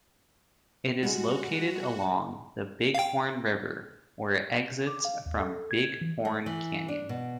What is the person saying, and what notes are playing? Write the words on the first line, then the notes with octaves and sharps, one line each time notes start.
It is located along the Bighorn River where it exits from Bighorn Canyon.
G3 G#3 F#4
F5 G5
D6
F5
D#2
A4
G#6
E3
A3
E3
D4
B2